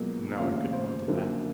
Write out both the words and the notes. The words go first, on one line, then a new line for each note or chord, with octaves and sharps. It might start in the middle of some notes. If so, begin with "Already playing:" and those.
No, I couldn't well do that.
Already playing: C#2 B2 F#3 A#3
F1 D#2 C#3 F3 F5
C5
F#2 D3 F3 A#3